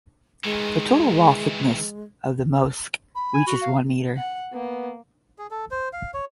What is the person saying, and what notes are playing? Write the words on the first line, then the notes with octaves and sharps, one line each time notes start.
The total wall thickness of the mosque reaches one meter.
D#3 E3 G#3
B5
G#5
F#4
F5
F#5
A#3 B3
G#4
A4
C5
F5
C#5